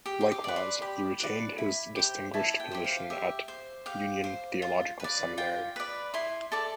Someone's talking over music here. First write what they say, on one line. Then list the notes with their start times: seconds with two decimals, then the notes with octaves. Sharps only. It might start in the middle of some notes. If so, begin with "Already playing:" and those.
Likewise he retained his distinguished position at Union Theological Seminary.
0.06 G4
0.21 C6
0.32 D6
0.44 B4 D5
0.56 C6
0.82 G4 B5
1.20 B4 D5
1.58 E4 B5
1.95 G4 C5
2.34 E4 A5
2.60 G5
2.72 G4 C5
2.84 F5
3.10 G4 E5
3.48 C5
3.86 G4 F5
4.24 C5
4.62 F4
5.00 B4 D5
5.38 F4 G5
5.76 B4 D5 B5
6.14 E4 C6
6.52 A4 D5 D6